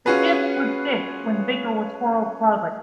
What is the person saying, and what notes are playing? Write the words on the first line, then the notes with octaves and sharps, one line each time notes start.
The tips would stick when the beaker was swirled slowly.
C#4 F4 F#4 G#4 B4